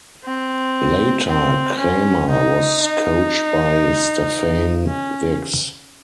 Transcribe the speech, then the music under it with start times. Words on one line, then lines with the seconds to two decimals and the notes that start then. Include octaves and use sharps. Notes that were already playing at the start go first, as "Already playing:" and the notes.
Later, Kremer was coached by Stephane Vix.
0.25 C4
1.27 C4
1.79 C#4
2.30 D#4
2.82 D#4
4.87 C#4